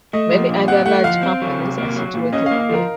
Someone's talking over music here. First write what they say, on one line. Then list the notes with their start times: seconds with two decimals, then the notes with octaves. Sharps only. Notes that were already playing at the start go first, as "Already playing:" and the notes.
Many other large companies are situated there.
0.13 A3 D#5
0.32 F3
0.49 A#2
0.68 C4 F#5
0.86 A3 F#5
1.04 F3 F5
1.23 C4
1.42 F#3
1.59 C3
1.78 A#3
1.95 F#3
2.14 A#2
2.32 C#4 D#5
2.46 F5
2.51 A#3
2.60 F5
2.70 F3 A#4